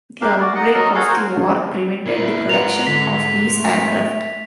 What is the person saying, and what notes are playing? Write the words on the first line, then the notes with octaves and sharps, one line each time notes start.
The outbreak of the war prevented the production of these aircraft.
D4 G4 A#4 F5
F#4 D5
D#4 D#5 F#5
F#3 A4 A#4 D#5
F#4 G#4 A4 F5
F#4 A#4 C5 C#5
A#2 E4 A#4 B4
G#2 F4 B4 F#5 A#5 F7
D3 B6
A3